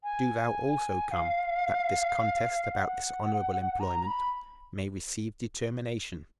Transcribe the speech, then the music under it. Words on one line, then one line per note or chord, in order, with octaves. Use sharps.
Do thou also come, that this contest about this honorable employment may receive determination.
G#5
F5
F#5
A#5
B5